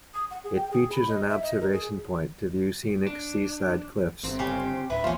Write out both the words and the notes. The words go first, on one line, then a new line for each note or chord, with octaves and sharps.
It features an observation point to view scenic seaside cliffs.
D#6
F#5
G#4
G5
G#4
B5
D#5
E5
D#5
A#4
G#4
D4
G1 C4
C#3 G4 C#5
D1 B4 E5
A#1 E2 A#2 F3 C#4 F4